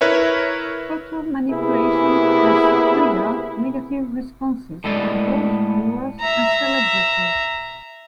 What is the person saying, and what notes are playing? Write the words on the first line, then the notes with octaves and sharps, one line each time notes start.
Photo manipulation has triggered negative responses from both viewers and celebrities.
E4 A#4 B4 C#5 E5
C3 A#3 B3 E4 G#4 B4
A2 G#3 B3 A4 D5
E5 A#5